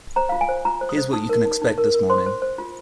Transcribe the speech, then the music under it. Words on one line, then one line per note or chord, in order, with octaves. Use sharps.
Here's what you can expect this morning.
C5 A#5
F4 F5
G#5
C5
F4 A#5
C5
D#6
C5
D#4 D#6
A#4
D#4
D#4
A#4
A#4
C5 C6
C5
C5
F4